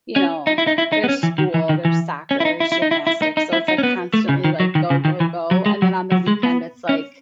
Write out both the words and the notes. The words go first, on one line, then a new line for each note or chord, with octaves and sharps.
you know, there's school, there's soccer, there's gymnastics, so, it's, like, constantly, like, "Go, go, go," and then on the weekend, it's, like,
C#4
D#4
E4
D#4
E4
D#4
B3
C#4
E3
D#3
E3
D#3
E3
C#4
E4
D#4
E4
E4
D#4
E4
E4
D#4
D#4
E4
D#4
C#4
B3
A3
C#3
D#3
F#3
D#3
C#3
D#3
E3
F#3
G#3
F#3
F#3
G#3
B3
C#4